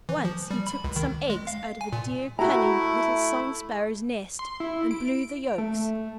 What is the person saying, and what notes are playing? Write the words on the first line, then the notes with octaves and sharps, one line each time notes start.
Once he took some eggs out of a dear, cunning, little song-sparrow's nest, and blew the yolks.
E3
F3
G3
B5
C#2
D#3
G#3
F5
G#5
A#2
A3 E4 F#4 A#5
C6
E4
D7
A3